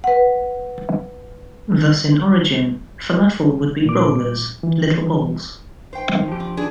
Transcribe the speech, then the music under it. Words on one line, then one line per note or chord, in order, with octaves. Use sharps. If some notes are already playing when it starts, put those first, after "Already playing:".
Thus in origin, falafel would be rollers, little balls.
B4 F#5
A#2 D6
E3
C5 G5
D#3
F3 G4
C4
D4 G#4